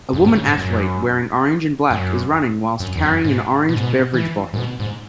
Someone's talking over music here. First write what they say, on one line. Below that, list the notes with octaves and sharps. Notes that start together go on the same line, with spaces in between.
A woman athlete wearing orange and black is running whilst carrying an orange beverage bottle.
F#2
G#2
C#3
G#2
F#2
F#2
F#2
E2
F#2
G#2
B2
G#2
B2
E3
G#2
B2
G#2